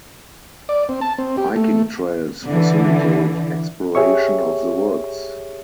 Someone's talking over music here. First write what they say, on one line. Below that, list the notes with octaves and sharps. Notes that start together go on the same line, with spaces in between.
Hiking trails facilitate exploration of the Woods.
D5
C4
A5
C4
G4
A3
D3 E3
G4 G#4 C#5 E5 C#6